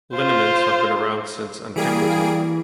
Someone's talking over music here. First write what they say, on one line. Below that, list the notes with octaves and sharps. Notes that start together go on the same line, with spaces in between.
Liniments have been around since antiquity.
F4 C5
E3 G3 A#3 G#4 D7